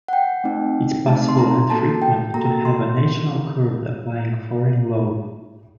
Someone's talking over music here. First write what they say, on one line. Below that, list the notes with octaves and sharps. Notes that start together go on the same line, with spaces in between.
It is possible and frequent to have a national court applying foreign law.
F#5
G5
A3 C4 D#4
A3 C4 D#4 A5
C6
A#5
A#3 F#4 A4 A5
G5
A#3 F#4 A4 A#5
C6